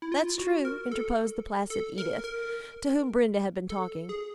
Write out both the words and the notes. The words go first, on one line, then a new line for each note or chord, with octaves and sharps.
"That is true," interposed the placid Edith, to whom Brenda had been talking.
E4
F4
F#4
A#4
A4
A4
A#4
A#4
A4
G#4